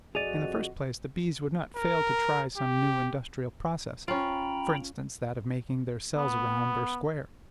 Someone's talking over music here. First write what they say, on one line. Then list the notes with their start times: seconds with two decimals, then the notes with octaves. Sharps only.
In the first place, the bees would not fail to try some new industrial process; for instance, that of making their cells round or square.
0.15 F2 F#4 G#4 D5 D#5 A6 D#7 F7
1.76 A#4
2.57 G4
4.08 C#4 F4 G5 A#5 B5
6.17 B3